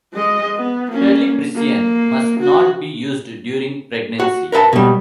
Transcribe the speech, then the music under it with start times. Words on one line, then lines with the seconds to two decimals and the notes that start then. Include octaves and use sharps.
Terlipressin must not be used during pregnancy.
0.13 G#3 D#5
0.57 B3
0.92 A#3 C#4
1.55 A#3
2.40 F#4
4.20 F#4
4.52 A#4 B4 E5 A5
4.73 B2 G3